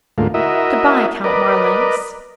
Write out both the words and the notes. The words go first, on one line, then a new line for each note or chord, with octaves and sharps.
"Good-bye, Count Marlanx."
D2 G#2 A3 A#3 F4
E4 F#4 A#4 D#5 E5
A#4 B4 D5 D#5